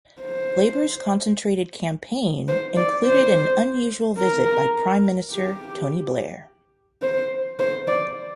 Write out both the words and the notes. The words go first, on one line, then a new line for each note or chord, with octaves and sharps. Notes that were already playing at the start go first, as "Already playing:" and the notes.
Labour's concentrated campaign included an unusual visit by Prime Minister Tony Blair.
C5
C5
D5
C5
A#4
G4
C5
C5
D5